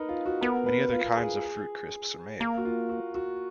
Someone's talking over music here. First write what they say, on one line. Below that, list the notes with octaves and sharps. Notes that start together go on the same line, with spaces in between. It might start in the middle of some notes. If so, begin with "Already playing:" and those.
Many other kinds of fruit crisps are made.
Already playing: D#4 A#4 B4
F4
F#4
B3 A#4
B4
F4
G#4
A#3 A#4
F#4
F4
F#4
F#4